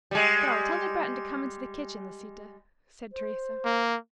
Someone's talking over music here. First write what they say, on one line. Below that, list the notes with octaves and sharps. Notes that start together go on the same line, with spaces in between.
"Go, tell the Breton to come into the kitchen, Lisita," said Teresa.
G3 G#3
C5
A#3